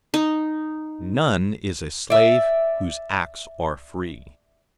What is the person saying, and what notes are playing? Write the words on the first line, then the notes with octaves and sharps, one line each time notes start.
None is a slave whose acts are free.
D#4
D5 E5